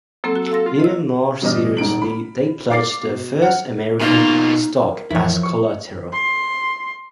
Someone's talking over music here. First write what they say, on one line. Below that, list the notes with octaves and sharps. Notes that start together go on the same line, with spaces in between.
Even more seriously, they pledged their First American stock as collateral.
F#3 A#3 C4 A4
F#4
F5 C6 A#6
F4
D#5 E6
G2 B2 E3 D4 D#5 F6
D#1 G#1 D7 F#7
B5
F5 D6 A6 C7
B2
F#5 F6
B2 A#3 D#4 F4
A#4
F2 E3 F3 E4 C#5
C#6
C6